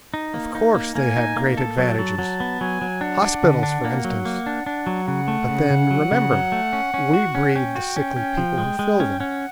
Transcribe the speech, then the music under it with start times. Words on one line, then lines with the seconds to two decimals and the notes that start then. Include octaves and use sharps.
Of course they have great advantages--hospitals for instance; but then, remember, we breed the sickly people who fill them.
0.14 D#4
0.34 A#3
0.55 D#4
0.75 A#3
0.95 A#3 G#5
1.16 D#4
1.36 A#3
1.57 A4
1.78 F#3 A5
1.99 F#3
2.19 F#3
2.40 B3
2.61 F#3 G#5
2.82 F#3
3.01 D4 F#5
3.22 D4
3.43 D3
3.63 D4
3.85 A#3
4.04 F#3
4.25 A#3
4.46 D4
4.66 D4
4.86 F#3
5.08 C#3 F#5
5.28 A3
5.48 C#3
5.70 C#3
5.91 F#3
6.11 C#3
6.32 F#3
6.52 A3
6.73 C#4
6.94 C#4
7.14 F#4
7.35 C#4
7.56 C#4 G5
7.75 F#4
7.96 C#4
8.16 C#4
8.37 F3
8.58 G#3
8.79 G#3
9.00 C#4
9.20 C#4 F#5